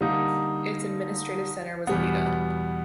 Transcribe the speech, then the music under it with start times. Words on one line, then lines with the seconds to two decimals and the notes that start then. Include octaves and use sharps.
Its administrative centre was Lida.
0.01 D3 G3 A#3 D#4
1.87 E2 B2 G3 B3